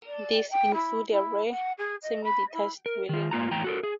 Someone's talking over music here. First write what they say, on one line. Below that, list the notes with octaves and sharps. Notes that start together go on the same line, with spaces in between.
These include a rare "semi-detached" dwelling.
D5
G5
E4
E4
F#5
G#4
D#5
B5
E4
A#4
D#3 F4
G#2 A#3 F4 A#5
E2 A2 G5 A#5
F#4 A4 A#4
G#4